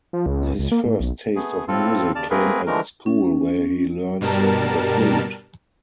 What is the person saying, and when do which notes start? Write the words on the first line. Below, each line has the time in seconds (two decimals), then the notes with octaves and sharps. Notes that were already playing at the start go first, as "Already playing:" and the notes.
His first taste of music came at school where he learned the flute.
0.13 F3
0.26 C#2
0.59 C#2
0.71 A#3
0.86 A2
1.00 B1
1.35 A3 B3 G#4
1.68 A2 C4 F4 A4
2.15 D#2 C#3 D5 A5 F6
2.30 A3 A#3 C4 G#4 A#4 B4
2.67 D3 E3 F3 G#3 A3 A#4
3.06 C#4
4.21 G2 B2 G3 A#4 A5